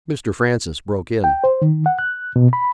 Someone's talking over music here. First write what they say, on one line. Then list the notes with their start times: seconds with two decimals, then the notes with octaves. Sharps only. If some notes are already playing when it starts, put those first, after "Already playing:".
Mr. Francis broke in.
1.24 G5
1.44 C5
1.62 D#3
1.86 F#5
1.99 F#6
2.36 B2
2.53 B5